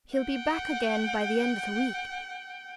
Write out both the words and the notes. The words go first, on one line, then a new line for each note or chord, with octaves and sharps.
He'll be back again by the end of the week.
F#5 G5